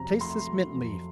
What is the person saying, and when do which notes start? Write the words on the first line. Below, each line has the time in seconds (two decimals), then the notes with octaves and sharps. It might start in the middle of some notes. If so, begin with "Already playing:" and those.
Taste this mint-leaf!
Already playing: F2 C3 F#3 A#5
0.20 A3 C6
0.47 F#3
0.76 F2